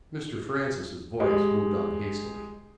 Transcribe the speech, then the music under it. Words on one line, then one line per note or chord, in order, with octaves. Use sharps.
Mr. Francis's voice moved on hastily.
G#3 G4 D#5